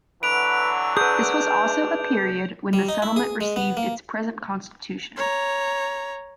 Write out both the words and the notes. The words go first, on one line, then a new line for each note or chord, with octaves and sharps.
This was also a period when the settlement received its present constitution.
D3 E3 F#3 B4 D7 F7
D4 G#4 B4 G6
G3
D#4
E4
G#4
G#3
B3
A#3
C#5 A#5